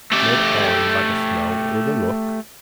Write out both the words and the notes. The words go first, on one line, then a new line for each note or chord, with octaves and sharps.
Led on by the smell or the look.
A3 G4